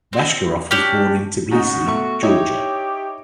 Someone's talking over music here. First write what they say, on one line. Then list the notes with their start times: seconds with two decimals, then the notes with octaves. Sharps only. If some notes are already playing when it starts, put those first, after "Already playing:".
Bashkirov was born in Tbilisi, Georgia.
0.13 C4
0.71 C#4 D4 G4
1.51 G#2 C#3 D#4 F#4
1.86 B2 A3 C#6
2.23 D#4 E4 G4 C#5